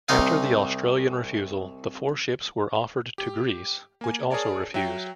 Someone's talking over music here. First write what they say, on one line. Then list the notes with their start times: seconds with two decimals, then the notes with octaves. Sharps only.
After the Australian refusal, the four ships were offered to Greece, which also refused.
0.09 C2 D#4 F5
3.18 G4
4.01 A#3 G#5
4.30 G#4 A#4 C#5 D5 A5
4.74 F#3 E5 G5